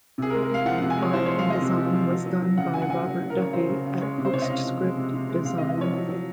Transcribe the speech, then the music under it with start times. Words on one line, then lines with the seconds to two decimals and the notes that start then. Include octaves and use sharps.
Art and design was done by Robert Duffy at PostScript Design.
0.18 C3 G#4
0.30 A#4
0.34 G#3
0.42 A#4
0.49 G#3 F5
0.65 F3 F#5
0.78 C3 F#5
0.90 G#5
0.97 G#3 C#5
1.13 F3 C5
1.26 G#3 C#5
1.38 F5
1.46 G#3 D#5
1.62 C3
1.77 F3
1.93 F3
2.10 F#3
2.26 F#3
2.42 F#3
2.57 C#3 F#5
2.74 F#3 G#5
2.82 F#5
2.89 F#3 G#5
3.06 F#3
3.22 F#3
3.30 A#4
3.37 C#3 C#5
3.53 F#3 C5
3.69 C#3
3.85 C#3
4.01 G#3 C#5
4.18 C3
4.25 C5
4.33 C3 C#5
4.42 D#5
4.49 C3 F5
4.65 F3
4.81 G#3
4.97 C3
5.14 C3
5.29 G#3
5.45 C3 F5
5.58 D#5
5.61 C3
5.69 D#5
5.78 F3 C#5
5.93 F#3
6.09 F#3